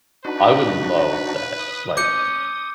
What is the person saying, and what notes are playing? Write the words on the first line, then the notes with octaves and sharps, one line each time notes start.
I would love that, like
D4 D#4 F#4 B4
D#6
C#4 D6 G6 C#7